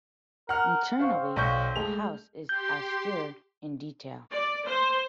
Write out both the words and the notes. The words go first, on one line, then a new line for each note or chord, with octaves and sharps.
Internally the house is austere in detail.
A#4 F#5 F6
C4 C5 F5 C#6
B1 D5 F5 C#6 G6
G#3 A3 G#4 F7
G4 C6 G6
D5
C5